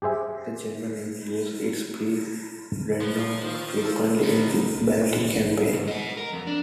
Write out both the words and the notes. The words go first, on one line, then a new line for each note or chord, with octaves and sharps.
The German navy used its pre-dreadnoughts frequently in the Baltic campaign.
G4 G#4 C5 E5 G#5
F3 B4
D#3 F4
A4
B3 D#4 C5
C2 F2
A#2
A#1
G#3
D#2 G#2
D#5 F#5
A#4
F2
D4